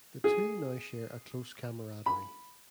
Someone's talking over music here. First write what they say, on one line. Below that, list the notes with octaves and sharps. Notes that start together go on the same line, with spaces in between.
The two now share a close camaraderie.
G#4
B5